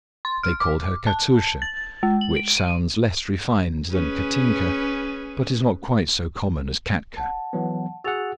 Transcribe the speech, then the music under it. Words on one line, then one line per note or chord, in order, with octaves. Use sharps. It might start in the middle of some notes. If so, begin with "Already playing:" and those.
They called her Katusha, which sounds less refined than Katinka, but is not quite so common as Katka.
C6
F6
D6
A5
A6
G#3
F#7
D7
D#7
C#4 G#4 B4
F#5 A5
E3 F#3 B3
F#4 G#4 F#5 E6 A6 F7